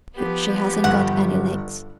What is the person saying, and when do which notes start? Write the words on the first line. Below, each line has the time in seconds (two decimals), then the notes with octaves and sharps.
She hasn't got any legs.
0.17 F3 B3 G4
0.84 G1 G2 F#5